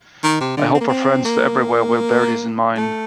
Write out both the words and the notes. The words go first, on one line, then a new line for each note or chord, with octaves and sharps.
I hope our friends every where will bear this in mind.
D#3
C3
D3
C4
A#3
C4
A#3
A3